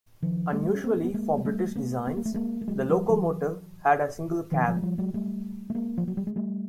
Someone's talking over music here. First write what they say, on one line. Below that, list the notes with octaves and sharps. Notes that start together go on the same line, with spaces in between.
Unusually for British designs, the locomotive had a single cab.
D#3 F3
G3 A3
C#4
A#3 C4
B3
G#3 A#3
G#3
G3 A3
A3 B3
B3
A#3
A3
G#3 A#3
A3
F#3 G#3
F3 G3
E3 F#3
D#3 F3
F3 G3
G#3
F3 G3
F#3 G#3
G3 A3
A3
G#3 A#3
F3
F#3
G3
G#3
G3 A3